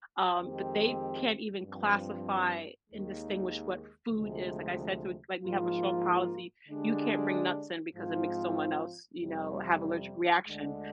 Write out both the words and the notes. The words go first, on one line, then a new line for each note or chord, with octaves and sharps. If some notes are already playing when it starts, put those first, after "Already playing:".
um, but they can't even classify and distinguish what food is like I said to i like we have a strong policy, you can't bring nuts in because it makes someone else, you know, have allergic reaction.
F2 D#3 G#3 C4 G4
G2 F3 C4
D#2 D#3 G#3
D2 C3 F3 G#3
G#2 F3 A#3 F4
D3 G#3 D4 G4
G#2 F3 C4 F4
F2 C3 G3
D2 D3 G#3